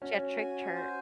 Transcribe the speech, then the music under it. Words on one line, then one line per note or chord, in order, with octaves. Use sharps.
She had tricked her
C#4 F#4
G#5
C5